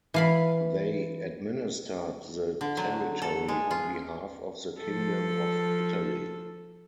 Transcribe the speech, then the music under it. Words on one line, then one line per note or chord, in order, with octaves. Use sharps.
They administered the territory on behalf of the Kingdom of Italy.
E3 F5 B5
D3
F#3
A4
G#3
F4
F3 A4